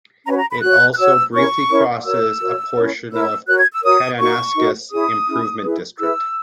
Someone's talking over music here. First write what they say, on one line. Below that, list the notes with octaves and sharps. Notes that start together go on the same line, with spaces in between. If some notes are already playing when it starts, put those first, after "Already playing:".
It also briefly crosses a portion of Kananaskis Improvement District.
C#4 F#4 B4 A#5
A#5
B5
F#4 C#5 F#6
F#6
F#4 C#5 E6
C#4 E4 A#4 C#5 C#6
C#4 E4 A#4 C#5
F#4 A#4 C#5 E6
F#4 A#4 C#5
C#4 E4 A#4 C#5
C#4 E4 A#4 C#5 E6
F#4 A#4 C#5 F#6
G#6
E6
F#4 A#4 C#5 D#6
D#4 F#4 A#4 C#6
D#4 F#4 A#4
C#4 E4 G#4 D#6
C#4 E4 G#4
E4 G#4 B4
E4 G#4 B4 E6